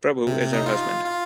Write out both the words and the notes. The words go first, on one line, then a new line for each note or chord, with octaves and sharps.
Prabhu is her husband.
C3
C3
D#4
F4
F4